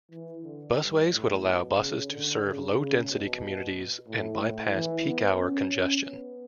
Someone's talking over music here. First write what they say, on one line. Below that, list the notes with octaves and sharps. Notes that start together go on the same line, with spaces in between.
Busways would allow buses to serve low-density communities and bypass peak hour congestion.
E3
D3
G2
A2
B2
C#3
D3
C#3
C#3
B2
A2
A2
E3
B3
C#4
C#4
B3